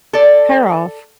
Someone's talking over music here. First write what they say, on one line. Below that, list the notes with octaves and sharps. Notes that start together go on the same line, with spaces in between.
cut her off.
A4 D5